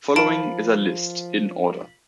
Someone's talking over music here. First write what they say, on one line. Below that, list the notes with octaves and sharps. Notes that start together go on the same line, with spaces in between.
Following is a list, in order.
F3 F4 A#4 F5 A5 B5 D7